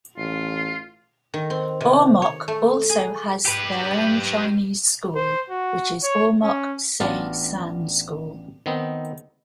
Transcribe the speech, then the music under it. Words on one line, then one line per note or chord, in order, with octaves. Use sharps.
Ormoc also has their own Chinese school which is Ormoc Se San School.
A1 F4
D#3
C4
C3
C#5
A3
G#4
G4 B4
C5
F#4
C#5
C#4
A1 B3 D4 F4 F5 A5
D#3 B3 C4 D#4